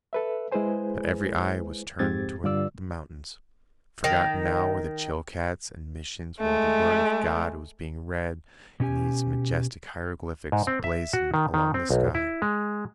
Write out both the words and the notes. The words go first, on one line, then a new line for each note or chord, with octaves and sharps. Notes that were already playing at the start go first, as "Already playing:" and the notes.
But every eye was turned to the mountains. Forgotten now were the Chilcats and missions while the word of God was being read in these majestic hieroglyphics blazoned along the sky.
A4 B4 E5
G#3 E4 G#4 B4 C5 G#5
F2 G#2 C4 G4 G#6 A6
G2 D3 F4 D5 E6
D#3
G#3 A3
B2 C#4 G4 G#5
G#2
C4
E5
F#4
D#3
D#3
C4
B1
E4
G#3